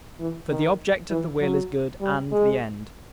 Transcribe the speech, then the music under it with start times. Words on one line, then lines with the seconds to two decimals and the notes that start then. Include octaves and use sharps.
For the object of the will is good and the end.
0.19 E3
0.49 D#3
1.10 E3
1.41 F#3
2.01 G3
2.32 G#3